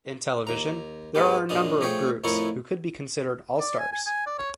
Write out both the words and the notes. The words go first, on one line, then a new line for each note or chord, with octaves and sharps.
In television, there are a number of groups who could be considered All-Stars.
D#2 A#5
G#2 G#3 B3 G4
A#1 F#2 D4 F4 D#5
F3 A3 G#4 C#5 G5
F2 A2 E4 F4 A#4 C#6
D5
G#5
G#5
G#5
D5
C#5